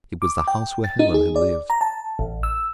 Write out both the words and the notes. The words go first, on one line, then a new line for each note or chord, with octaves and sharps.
It was the house where Helen had lived.
D6
G5
A6
D#4
G#4
D5
A#5
A5
A1
E6